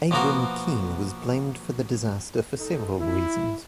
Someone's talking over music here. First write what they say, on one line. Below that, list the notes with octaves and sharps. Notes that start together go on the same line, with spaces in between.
Abram Kean was blamed for the disaster for several reasons.
B2 F3 A#3 B3 F#4 A#4
D#4 A4
E4